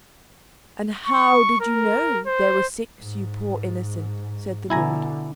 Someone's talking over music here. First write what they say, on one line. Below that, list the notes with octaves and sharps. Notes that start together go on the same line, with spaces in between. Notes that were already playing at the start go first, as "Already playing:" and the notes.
"And how did you know there were six, you poor innocent?" said the lord.
C#6
A#4
C5
G#2
B2 D3 E4 G#5 A#5